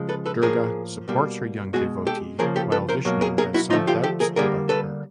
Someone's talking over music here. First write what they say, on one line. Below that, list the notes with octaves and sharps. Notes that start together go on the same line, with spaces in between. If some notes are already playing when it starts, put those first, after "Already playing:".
Durga supports her young devotee while Vishnu has some doubts about her.
Already playing: C#3 F3 G#3
A4 B4
A4 B4
A2 F3 A#3 G#4 A#4
B2 G3 A#3
B2 G#3 F#4 G#4
G4 A4
C#3 F3 A#3 G#4 A#4
G4 A4
A4 B4
A#4 C5
B2 F#3 A#3
G#4 A#4
G#4 A#4
E4 F#4
D3 F3 A3 D#4 F4
F4 G4
G4 A4
G#4 A#4
D3 G3 A#3 G#4 A#4
A4 B4